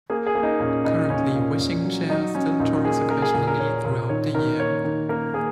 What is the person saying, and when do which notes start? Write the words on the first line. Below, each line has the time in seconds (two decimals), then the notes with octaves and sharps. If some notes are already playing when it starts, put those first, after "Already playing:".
Currently, Wishing Chair still tours occasionally throughout the year.
0.10 A#3 G#4
0.26 G#4
0.35 A#3
0.43 D#4
0.60 A#2 C#4
0.85 A#2 D#4
1.10 A#2 C#4
1.35 A#2
1.60 A#2
1.85 F#3
2.10 F#3 D#4
2.35 F#3 C#4
2.60 A#2 D#4
2.85 A#3 G#4
3.10 A#3 A#4
3.22 G#4
3.34 A#2 G#4
3.47 A#4
3.59 A#2 C#5
3.84 A#2 A#4
4.09 D#3 C#5
4.35 D#3 A#4
4.59 A#3 C#5
4.85 D#3
5.09 A#3 A#4
5.34 A#3 G#4